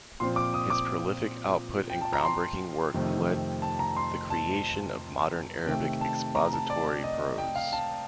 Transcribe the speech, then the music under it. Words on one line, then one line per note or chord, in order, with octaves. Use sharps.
His prolific output and groundbreaking work led the creation of modern Arabic expository prose.
A#2 F3 C4 C6
D6
D#6
D6
G5
A5
A#5
C6
F2 C3 D#3 A3 C4
A5
A#5
C6
A5
C3 D#3 A3 G5
A5
A#5
A5
D5
D#5
G5
F5
A5